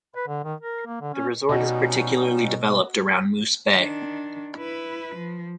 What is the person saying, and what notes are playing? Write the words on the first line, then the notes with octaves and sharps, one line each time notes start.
The resort is particularly developed around Moose Bay.
B4
D3
D#3
A#4
A#3
D3
C#4
B2 G3 C#4 D#4 F#4 D#5
D#3 D4
E4 B4
F3